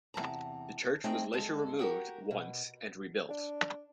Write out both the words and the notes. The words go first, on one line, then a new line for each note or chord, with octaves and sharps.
The church was later removed once and rebuilt.
E2 C3 A5 A#5
A3 C4 D#4 G#4 G5
G2 G#3 A4
F#4 G4 A#4
B2
D4